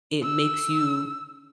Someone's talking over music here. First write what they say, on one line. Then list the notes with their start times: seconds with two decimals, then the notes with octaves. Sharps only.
it makes you
0.23 E6